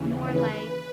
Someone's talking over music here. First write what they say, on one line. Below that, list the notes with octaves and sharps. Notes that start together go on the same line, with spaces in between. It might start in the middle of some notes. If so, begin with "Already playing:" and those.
more, like
Already playing: D#2 C#3 E3
B4